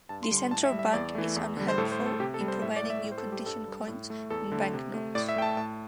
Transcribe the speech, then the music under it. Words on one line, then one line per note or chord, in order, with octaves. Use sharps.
The Central Bank is unhelpful in providing new condition coins and banknotes.
G2 A5
C6
D3 G3
C6
A2 A5
E5
G3
E5
E2 D5
E3 A3
E2
D3 G3
C5
A2 A4
C5
A3
A4
C3 G4
A4
G3
C5
A2 E5
D5
A3
E5
A2
C5
A4
G3
G4
G2 A4
G3
A2
A3
E2 A4
D3 A3
C3
A3
A2 D5
E5
A3 G5
A5
A2 A5